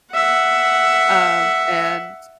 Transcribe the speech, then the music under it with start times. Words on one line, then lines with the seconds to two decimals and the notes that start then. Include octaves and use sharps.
Um, and,
0.13 E5 F#5